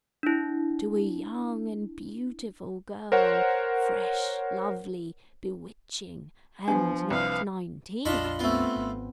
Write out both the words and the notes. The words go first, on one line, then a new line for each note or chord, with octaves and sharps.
To a young and beautiful girl; fresh, lovely, bewitching, and not nineteen.
D4 E4
A#4 C5 C#5 F#5
F3 B3 D4
C2 B4 F5
A#1 F2 D4 F4 D#5 B5 C#6
A3 B3 C4 F4
G#1